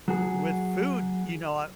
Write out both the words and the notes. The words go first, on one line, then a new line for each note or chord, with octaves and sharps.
With food, you know I
F#3 F#4 G#4